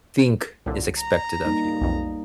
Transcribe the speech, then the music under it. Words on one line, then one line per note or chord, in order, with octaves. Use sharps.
think is expected of you.
C2 A#2 D3 C#5
A#5
G3 A#3 D#4
B1 F2